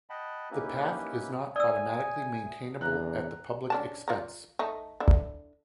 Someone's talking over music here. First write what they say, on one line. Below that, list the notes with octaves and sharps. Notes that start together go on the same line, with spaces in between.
The path is not automatically maintainable at the public expense.
D#5 F#5 G5 A5 B5
A#3 C#4 D#4 E4 G4 B4
D5 E5 G#5 D#6 E6
E2 C3 D4 A#5 F#6
C#4 D4 A5
F4 D5 A#5
A3 D#4
D3 E4